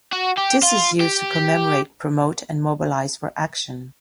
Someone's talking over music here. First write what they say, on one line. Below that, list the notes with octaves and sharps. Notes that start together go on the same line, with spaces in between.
This is used to commemorate, promote and mobilize for action.
F#4
G4
F4
G4